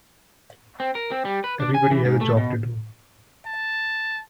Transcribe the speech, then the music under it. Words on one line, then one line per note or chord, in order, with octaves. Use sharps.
Everybody has a job to do.
C4
A#4
C4
G3
B4
D4
G#5
E3
G#2
A3
B2
A5